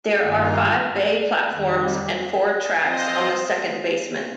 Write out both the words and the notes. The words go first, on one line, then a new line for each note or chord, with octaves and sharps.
There are five bay platforms and four tracks on the second basement.
G2 D#3 A#3 F4
F2 D#3 G3
F3 C4 F4 C5 D#5